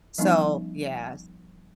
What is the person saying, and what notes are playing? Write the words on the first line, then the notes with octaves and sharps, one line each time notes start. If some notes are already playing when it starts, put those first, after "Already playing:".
So, yes.
F3 G3 B3 C#4 D#4